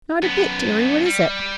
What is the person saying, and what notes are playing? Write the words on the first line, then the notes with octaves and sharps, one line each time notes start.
"Not a bit, deary; what is it?"
F#2 B3
G3